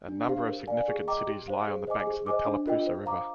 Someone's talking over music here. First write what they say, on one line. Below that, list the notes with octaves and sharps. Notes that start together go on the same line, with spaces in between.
A number of significant cities lie on the banks of the Tallapoosa River.
D4
G4 C5 F5
A#4
D5 F5 G#5
G#4
D#5 G5 A#5 D6
G4
C5 F5
G#4
C5 D#5 G#5 D6
G#4
C5 D#5 G#5 D6
D4
F4 A#4 D#5 G5
C5
F5 A#5 D6